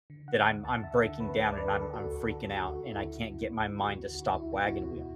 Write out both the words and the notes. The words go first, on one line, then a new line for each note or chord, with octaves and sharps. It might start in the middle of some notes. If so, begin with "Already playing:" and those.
that I'm I'm breaking down and I'm I'm freaking out and I can't get my mind to stop wagon-wheeling.
D3
D3 F#5
D2 F#5
D2 A5
D3 E5
D3
D2 B4
D2
D5
D3 B4
A4
D3
A4
D2 F#4
D2
D3 A4
D3 F#4
D2 F#4
D2 E4
D3
D3
D2
D2
D3 F#4
D3
D2 F#4
D2 E4
B2 F#4
E4
B2 F#4
E2